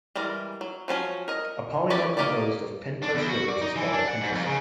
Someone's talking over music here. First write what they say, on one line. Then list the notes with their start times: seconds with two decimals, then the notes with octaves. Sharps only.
A polymer composed of pentose sugars is called a pentosan.
0.16 E3 G3 G#3 A#4
0.61 F#3
0.88 F3 F#3 C#4 G#5
1.28 A#4 D#5
1.90 C#4 G4 B4 C#5 D5
2.17 A#3 D#4 G4 C#5 D5
3.02 D4
3.15 E2
3.29 F#4
3.49 D5
3.61 D#4
3.76 E3
3.92 D4
4.08 F#5
4.21 G#2
4.33 F2
4.46 C#3